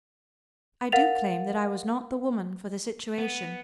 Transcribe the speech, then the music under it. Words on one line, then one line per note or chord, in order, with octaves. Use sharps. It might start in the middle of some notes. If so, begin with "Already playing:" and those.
I do claim that I was not the woman for the situation.
A#4 F5 F#5 A6 F7
B3